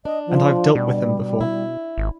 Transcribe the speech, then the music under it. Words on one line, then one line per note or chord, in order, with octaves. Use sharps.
And I have dealt with him before.
D4 D#5
F3
B2 G3
E4
G#1